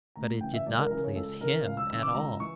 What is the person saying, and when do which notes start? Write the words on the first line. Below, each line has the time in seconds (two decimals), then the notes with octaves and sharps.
But it did not please HIM at all.
0.16 D2 A#5
0.41 C#3 E3 G5
0.54 E5
0.66 C#2 D5
0.79 A#4
0.90 C#3 E3 A#4
1.04 C#5
1.15 C#2 A4
1.40 C#3 E3 A#4
1.65 C#2 F5
1.77 E6
1.91 C#3 E3 E6
2.03 D6
2.14 C#2 A#5
2.40 E3 C#6